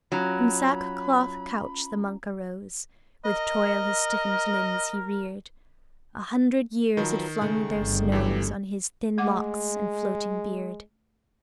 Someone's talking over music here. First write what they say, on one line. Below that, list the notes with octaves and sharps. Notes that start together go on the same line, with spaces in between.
"From sackcloth couch the Monk arose, With toil his stiffen'd limbs he rear'd; A hundred years had flung their snows On his thin locks and floating beard."
F#3 C#4 F4 A#5 B5
A#4 D#5
D#3 F3 F#3 B4
C#3 A3
G1
E2 E3 G4
G#3 A3 F#5 D6